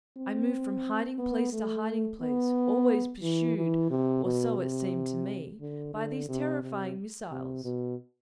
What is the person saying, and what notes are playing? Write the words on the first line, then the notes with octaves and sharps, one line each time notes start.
I moved from hiding-place to hiding-place, always pursued, or so it seemed to me, by these terrifying missiles.
C4
B3
A3
B3
E3
E3
C3
B2
C3
D3
D3
C3
C3
C3
B2